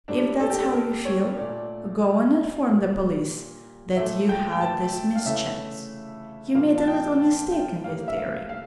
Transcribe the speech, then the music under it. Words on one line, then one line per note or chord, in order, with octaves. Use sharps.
If that's how you feel, go and inform the police that you had this mischance: you made a little mistake in your theory.
A2 G3 A#3 D4
A4
G4
A4
A#4
C#5
A#2 A3 D5
A#2 G3 A#3
A#2 A3 E5
G5
G5
A5
F5
C#3 E3 A3 E5
A#2 F3 A#3 F5
A5
G5
A5
G5
A2 E3 G3 A#3 F5
E5
F5
F5